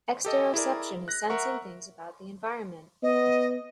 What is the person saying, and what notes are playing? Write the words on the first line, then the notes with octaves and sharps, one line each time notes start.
Exteroception is sensing things about the environment.
G4 A4 D#5
E4 G#4 A#4 D5
F#6 A#6
A#4 E5 F#5 C#6
B3 D#5